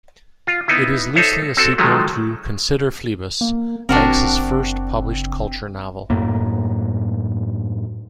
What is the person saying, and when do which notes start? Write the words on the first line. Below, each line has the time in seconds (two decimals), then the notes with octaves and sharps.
It is loosely a sequel to "Consider Phlebas", Banks's first published Culture novel.
0.47 F4
0.68 B3 D#4 E4
1.15 D#4 A4 C5 C#5 E5
1.57 C4 F#4 A4
1.78 D#3 F3 F#3 G#3 A3
3.41 A#3
3.89 F#1 C4 D4 F#4 A#4
6.10 F#2 A2 A#3